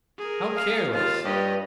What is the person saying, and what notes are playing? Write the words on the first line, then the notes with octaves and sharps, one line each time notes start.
How careless!
G#4 A#4
F5
D#2 F4 F5 A5
G2 G4 B4 C#5 D#5